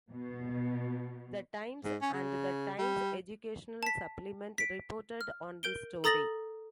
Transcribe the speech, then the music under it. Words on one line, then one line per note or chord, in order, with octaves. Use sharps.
"The Times" and "The Times Educational Supplement" reported on this story.
B2
G#2
C#4
C#3
G3
A5 B6
B6 D7
F6
A#4 G6 D7 G7
A4 A#5 D#6 A6 A#6 F#7